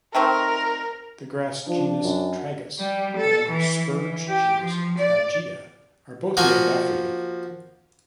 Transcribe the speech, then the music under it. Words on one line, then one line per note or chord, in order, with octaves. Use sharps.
The grass genus "Tragus" and spurge genus "Tragia" are both named after him.
D#3 A3 C4 A#4
F3 D4
F#2
G3
A4
E3
E3
G4
F3
D5
F3 A#3 F#4 G#5 A#5